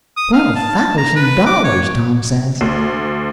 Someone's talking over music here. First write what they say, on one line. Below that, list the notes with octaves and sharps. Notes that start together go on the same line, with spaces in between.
"Twelve-thousand-dollars!" Tom says.
D#6
F5
A5
A#5
B4
D6
C#5
D2